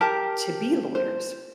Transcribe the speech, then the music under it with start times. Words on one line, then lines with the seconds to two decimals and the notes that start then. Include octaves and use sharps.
to be lawyers,
0.01 G4 A#4 A5
0.95 C5